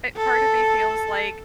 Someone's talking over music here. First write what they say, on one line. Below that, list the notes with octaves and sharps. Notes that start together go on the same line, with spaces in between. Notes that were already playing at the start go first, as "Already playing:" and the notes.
eh part of me feels, like,
A4